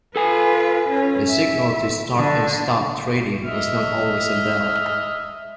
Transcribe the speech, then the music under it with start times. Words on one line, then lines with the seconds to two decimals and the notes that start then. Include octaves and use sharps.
The signal to start and stop trading was not always a bell.
0.16 F4 A4 B4 G#5
0.88 C#4
1.29 E5
2.16 D3
3.45 D#5 E5 F6